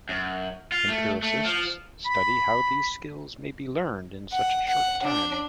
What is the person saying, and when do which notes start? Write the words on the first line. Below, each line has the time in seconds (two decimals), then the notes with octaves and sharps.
Empiricists study how these skills may be learned in such a short time.
0.09 F#2
0.72 F4
0.88 A3
1.23 A3
1.45 F3
2.06 B5
4.32 F#5
4.67 F#5
5.03 D4